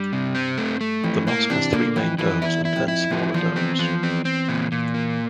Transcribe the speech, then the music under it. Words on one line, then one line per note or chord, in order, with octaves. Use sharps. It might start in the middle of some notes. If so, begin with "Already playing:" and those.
The mosque has three main domes and ten smaller domes.
Already playing: G2 G3
C3
C4
A3
A3
F2 E3
A2 A#3
C3 E3 D4
A#2 D3 A#3
F2 E3
F2 E3
E2 E4
E4
F2
E4
F2 F3
E2 F3
E2 C4
F3
C4
C4
A#2
A#2
A#3